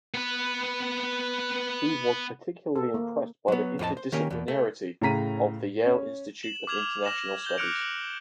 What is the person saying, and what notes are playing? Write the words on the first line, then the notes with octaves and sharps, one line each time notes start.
He was particularly impressed by the interdisciplinarity of the Yale Institute of International Studies.
B3 B4
A4
A#3
F#3 B3
F2 A2 G#4 D#5 A5
C5
D#3 A#3 C#4 G4 A#4 G#5
E2 B2
A3
A2 C#3 A#5 B6 D#7
C#4
E7 F#7
D6 F6 G#6 F7 F#7
F6 A#6 E7 F#7
G6 F#7 G7
D6 F6 F#6 C#7 D7 F7
F#7